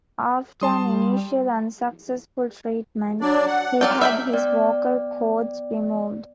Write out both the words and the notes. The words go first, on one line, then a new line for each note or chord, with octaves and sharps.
After an initial unsuccessful treatment, he had his vocal chords removed.
G3 A5 C6 D#6
F#3 D4 D5
F#5
F#3 D5 G5 F6
E5 G5 B5
B3 D5 G5